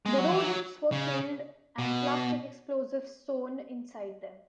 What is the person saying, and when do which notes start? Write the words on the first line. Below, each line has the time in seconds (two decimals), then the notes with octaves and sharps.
The rodents were killed and plastic explosives sewn inside them.
0.06 G#3
0.18 F#3
0.31 E3
0.44 F#3
0.92 C#3
1.78 B2